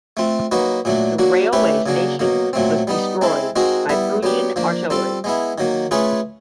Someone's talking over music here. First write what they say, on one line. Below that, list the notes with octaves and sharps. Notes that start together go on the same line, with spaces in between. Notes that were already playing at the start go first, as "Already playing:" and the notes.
The railway station was destroyed by Prussian artillery.
A3 C4 F4
F#3 A#3 D#4 F#4 B4
A#2 F#3 A3 D4
F#3 A#3 D4 F#4
A3 C#4 E4 G4 B4
C#3 F#3 A#3 D4
B2 F#3 A#3
A#2 F#3 A3 C4
G3 B3 D#4
G#3 C4 E4 A4
G#3 C4 D#4 F#4 A#4
G3 B3 E4
F#3 B3 D4 G4
F3 A#3 D4
G3 C4 F4 A4
G#3 B3 E4
D#3 F#3 A#3
A3 C#4 F4 G#4 B4